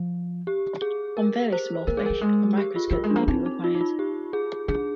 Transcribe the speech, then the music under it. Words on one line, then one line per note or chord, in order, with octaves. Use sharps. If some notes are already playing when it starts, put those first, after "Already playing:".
On very small fish, a microscope may be required.
Already playing: F3
G4
G#4
A#4
C5
A#3 A#4
G#3 G#4
G3 A#4
G#3
G4
F4
G3 F4
G#3
D4
A#3
C4 D#4
D#4
F4
D#4
F4
G4
G#4
D4 G#4